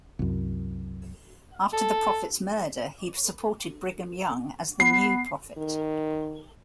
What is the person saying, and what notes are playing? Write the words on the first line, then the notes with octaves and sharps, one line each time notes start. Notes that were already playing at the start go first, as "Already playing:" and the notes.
After the prophet's murder, he supported Brigham Young as the new prophet.
C2 F#2
A4
B3 C7
D#3